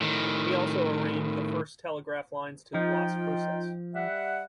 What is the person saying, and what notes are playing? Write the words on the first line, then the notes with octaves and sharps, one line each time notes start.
He also arraigned the first telegraph lines to Las Cruces.
A2 D#3
F3 D#4 F4 G5
G3 E5 F#5